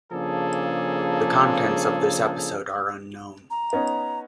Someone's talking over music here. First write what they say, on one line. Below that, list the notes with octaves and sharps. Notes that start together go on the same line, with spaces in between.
The contents of this episode are unknown.
C#3 F3 A#3 D4 G#4 A4
A#5
B3 C#4 D#4